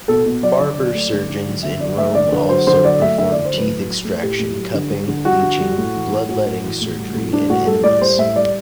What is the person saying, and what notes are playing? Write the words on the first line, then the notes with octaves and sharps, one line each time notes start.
"Barber surgeons" in Rome also performed teeth extraction, cupping, leeching, bloodletting, surgery and enemas.
B2 A4
B2
F#3 D5
D3
F#3
A3
D3
D3
F#3
D3 E5
F#3 D5
A3 E5
D3 D5
D3 B4
F#3 C5
D3 C5
F#3 D5
A3 E5
D3 E5
D3 D5
C5
F#3 B4
A2
F#3
A3
A2 G4
A2
F#3
D3
G3
D3
G3 F#4
D3
G3
A2
E3
A3
A2 F#4
A2
E3
A2
G3
A2
G3 D4
A2 F#4
G3 A4
A2 D5
G3 C5
A2 E5
G3 D5